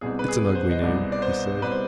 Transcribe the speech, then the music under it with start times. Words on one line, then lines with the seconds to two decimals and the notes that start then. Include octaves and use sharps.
"It's an ugly name," he said.
0.01 C2 B2 G3 C4 G#4
0.19 B4
0.28 G#4
0.55 C5
0.71 D#5
0.82 C2 B2 G3 C4 D5
1.12 D5
1.22 C5
1.62 C2 B2 G3 C4 B4
1.72 C5